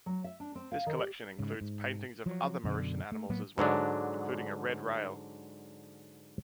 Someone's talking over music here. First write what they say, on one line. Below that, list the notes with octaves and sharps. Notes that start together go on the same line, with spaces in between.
This collection includes paintings of other Mauritian animals as well, including a red rail.
F#3
E5
D4
C4
F5
D#3
G4
G#2 C#3
G#2
F3 F#3
F#2 B2 D3
A3
A2 F#3 A#3 B3
G#2 D3 F#3 D4